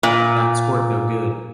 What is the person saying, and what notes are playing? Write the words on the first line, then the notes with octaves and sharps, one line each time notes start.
That squirt no good.
A#2